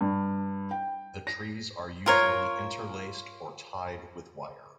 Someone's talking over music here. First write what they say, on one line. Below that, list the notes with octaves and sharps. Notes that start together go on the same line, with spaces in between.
The trees are usually interlaced or tied with wire.
G2
G5
A#6
F4 A#4 C#5